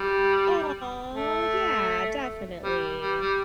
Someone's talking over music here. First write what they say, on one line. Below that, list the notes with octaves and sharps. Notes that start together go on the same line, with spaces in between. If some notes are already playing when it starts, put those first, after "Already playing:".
Aw, yeah, definitely,
Already playing: G3
A3
G3
G3
G3